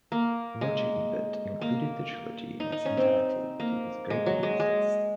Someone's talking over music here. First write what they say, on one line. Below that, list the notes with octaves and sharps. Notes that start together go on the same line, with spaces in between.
Roger Ebert included the trilogy in its entirety to his "Great Movies" list.
A#3
G#3
A#3
D#4
D#4
C#4
C4
A#3
G#3
F#3
G#3
G#3